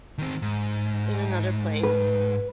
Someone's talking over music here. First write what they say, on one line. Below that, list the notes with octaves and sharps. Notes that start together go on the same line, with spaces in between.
in another place.
D#3 C4
G#2
B4